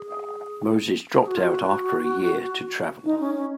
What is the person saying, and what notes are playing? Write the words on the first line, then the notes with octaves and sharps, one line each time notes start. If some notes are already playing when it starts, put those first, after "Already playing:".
Moses dropped out after a year to travel.
Already playing: G#4
G#4
F#4
F4
F#4
D#4
C#4
C#4